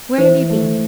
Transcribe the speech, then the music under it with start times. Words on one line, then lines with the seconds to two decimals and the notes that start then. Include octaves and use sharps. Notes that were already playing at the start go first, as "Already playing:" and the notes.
Where have you been?'
0.18 E3 C5
0.50 A3